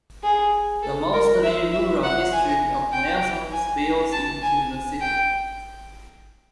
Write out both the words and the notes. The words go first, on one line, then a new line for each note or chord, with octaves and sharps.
The mostly rural district of Nelson spills into the city.
G#4
A4
A#4
E5
E5
F#5
G#5
G5
G#5
A5
G#5
G5